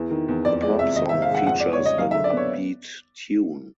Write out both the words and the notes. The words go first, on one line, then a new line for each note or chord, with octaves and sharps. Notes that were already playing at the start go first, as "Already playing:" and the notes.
The pop song features an upbeat tune.
Already playing: E2 E3
D#3
E2
F2 D5
G#3 D5
C3 E5
G#1 D#5
E5
G#1
F5
G#3 F#5
F2 F#5
D5
G#3
C#5
C#3 D#5
F#3 F5
E5
D3
D5
B3 C#5